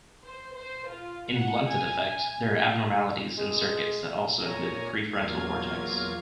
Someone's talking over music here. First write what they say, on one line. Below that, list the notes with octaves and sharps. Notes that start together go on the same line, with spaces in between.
In blunted affect, there are abnormalities in circuits that also include the prefrontal cortex.
C5
C5
F4
F#5
G#5
G#5
G#3
A#2 C#5 G#5 A#5
E2 F#3 A#3 F4 F5 G#6